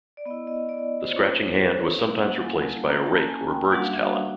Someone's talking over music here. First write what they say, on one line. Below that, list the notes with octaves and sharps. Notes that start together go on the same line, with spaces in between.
The scratching hand was sometimes replaced by a rake or a bird's talon.
D5
B3 D#5
E4
D#5
D5
C5
A#3 C#4 F4 C#5
B4
A4
A#4
B4
G3 A#3 C#4 E4 F5
F#5
G#5
A5
A#3 C#4 F#4 A#5
A5
G#5
G5
G3 A#3 D4 F#4 F#5
F5
E5
F5